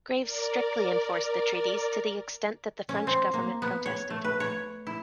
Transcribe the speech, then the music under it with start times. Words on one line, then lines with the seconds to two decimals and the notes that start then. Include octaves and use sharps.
Graves strictly enforced the treaties to the extent that the French government protested.
0.20 A#4 D5
2.89 C#4
3.07 C4
3.34 A#3
3.62 B3
3.86 C#5
4.10 A3
4.25 B4
4.40 C#5
4.87 E4